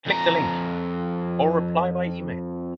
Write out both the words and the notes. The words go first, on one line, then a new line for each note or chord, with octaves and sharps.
Click the link, or reply by email.
F2 A#5